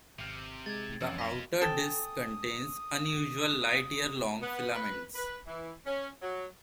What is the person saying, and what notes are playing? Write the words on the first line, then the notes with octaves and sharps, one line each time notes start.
The outer disk contains unusual light-year-long filaments.
G#1 C3 F6
G#3 G#6 A6
F2 E3 C#4 E6
D#5 F5 A#6 B6
A4 G5 G#5 D#6
B3
B4
B4
E3
C#4
F#3